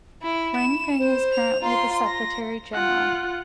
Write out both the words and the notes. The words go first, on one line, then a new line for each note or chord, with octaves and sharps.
Wang Ping is currently the Secretary-general.
E4 B5
E7
C5
F7
F4 A#5 C6
A#6
F4 F#5